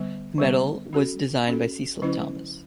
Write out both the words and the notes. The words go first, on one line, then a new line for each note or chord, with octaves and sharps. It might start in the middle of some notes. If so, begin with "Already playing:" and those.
The medal was designed by Cecil Thomas.
Already playing: D3 G3 B3
D3 G3 B3
C#4 F#4 A4
C#4 F#4 A4
D3 F#3 C#4 E4 B4